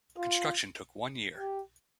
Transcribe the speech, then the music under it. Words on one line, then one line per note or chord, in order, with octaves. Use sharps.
Construction took one year.
F4
G4